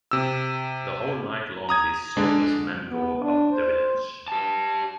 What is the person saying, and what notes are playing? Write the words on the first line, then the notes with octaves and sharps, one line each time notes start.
The whole night long these soulless men go about the village.
C3 E6
A#5 D#6 G#6
D3 G#3 D4
B3
D4
C5
G4 A5